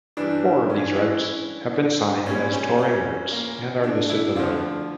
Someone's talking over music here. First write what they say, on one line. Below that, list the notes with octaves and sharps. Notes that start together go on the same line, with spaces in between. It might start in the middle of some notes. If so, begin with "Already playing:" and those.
Four of these routes have been signed as touring routes and are listed below.
G2 E3 G3 D4
C#4
E4
E4
D4
A#1 A#2 G3 C#4
C#4
C#4
A#3
D4
E4
D2 D3 F3 F4